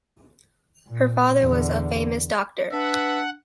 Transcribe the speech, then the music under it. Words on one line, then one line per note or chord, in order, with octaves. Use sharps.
Her father was a famous doctor.
A#2
E2 D3
D4 B4 E5 F#5